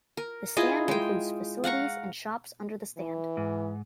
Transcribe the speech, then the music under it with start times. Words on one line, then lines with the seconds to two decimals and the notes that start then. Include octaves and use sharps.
The stand includes facilities and shops under the stand.
0.17 A#4
0.57 E4 F4 G#4 D#5
0.88 G#3 G5
1.64 F5 F#5 A#5 C#6
2.97 E3
3.37 G#2